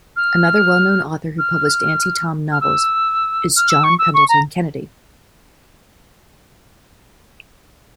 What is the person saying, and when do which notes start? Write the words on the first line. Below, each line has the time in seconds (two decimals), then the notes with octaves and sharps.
Another well-known author who published anti-Tom novels is John Pendleton Kennedy.
0.16 F6
1.38 F6
2.52 F6
2.61 E6
3.56 F6
3.70 E6
3.83 C#6
3.99 E6
4.14 C#6
4.28 A#5